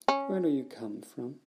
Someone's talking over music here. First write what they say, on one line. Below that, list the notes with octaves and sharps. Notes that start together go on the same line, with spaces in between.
Where do you come from?
C#4